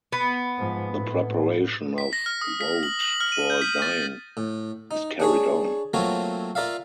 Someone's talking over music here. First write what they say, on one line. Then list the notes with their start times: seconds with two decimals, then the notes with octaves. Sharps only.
The preparation of woad for dyeing is carried on.
0.12 B3
0.58 G#2 F3
0.93 A2
1.98 B6
2.13 A#6
2.26 F6
2.42 D#6
2.61 B6
2.83 F#7
3.00 F#7
3.20 F6
3.32 D#7
3.50 G6
3.62 B6
3.82 A6
4.37 A2
4.91 D#4
5.20 D4 G#4 C#5
5.94 F#3 A3 A#3 C4 F4 C#5
6.55 F4 A#4 D5 E5 F5